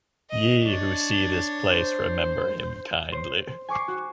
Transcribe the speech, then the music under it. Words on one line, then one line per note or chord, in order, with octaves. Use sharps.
Ye who see this place remember him kindly.
D#5
D4 C#5
C5
C5
G#5 C#6 D6 C7
F#4